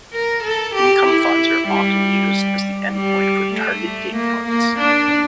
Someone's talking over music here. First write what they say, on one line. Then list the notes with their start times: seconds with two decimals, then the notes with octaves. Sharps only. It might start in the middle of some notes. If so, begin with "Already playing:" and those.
Income funds are often used as the endpoint for target-date funds.
0.14 A#4
0.44 A4
0.75 G4
1.06 E4
1.68 G3
2.93 G3
3.54 A3
4.16 A#3
4.47 A#3
4.79 D4